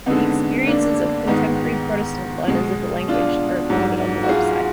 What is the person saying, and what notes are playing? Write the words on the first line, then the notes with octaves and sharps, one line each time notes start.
The experiences of contemporary Protestant learners of the language are recorded on the website.
F2 D3 G#3 B3 D#4
A#3 D4
G#2 D#3 G#3 B3 D#4
B2 G#3
D4 F4
G#2 F#3
F#4
F4 G#4